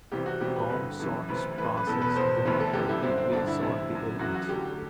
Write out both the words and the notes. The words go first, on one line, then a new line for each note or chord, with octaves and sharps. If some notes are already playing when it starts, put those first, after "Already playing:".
Comb sort's passes do not completely sort the elements.
C2 C3 E3 G4
F#4
C2 C3 E3 G4
B4
G2 D3 B4
F#2 E3
D2 C3 E3 B4
F#2 E3 B4
B4
E2 B2 A4
B4
E2 B2 C5
D2 C3 E3 B4
A4
F#2 D3 G4
E4
G2 D3 C4
C4
G2 D3 D4
E4
D2 C3 E3
F#2 D3
F#2 E3 F#4
F#4
D2 D3 G4